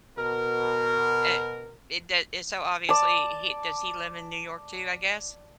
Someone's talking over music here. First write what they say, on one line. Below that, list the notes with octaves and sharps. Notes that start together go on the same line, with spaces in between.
It it doe and so obviously he does he live in New York too, I guess?
B2 A#4
D5 A5